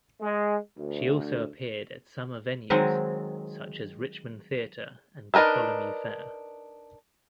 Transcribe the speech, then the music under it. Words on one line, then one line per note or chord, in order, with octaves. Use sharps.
She also appeared at summer venues such as Richmond Theatre and Bartholomew Fair.
G#3
D2
D#3 F#3 G#3 C4
D4 D#4 A#4 B4 E5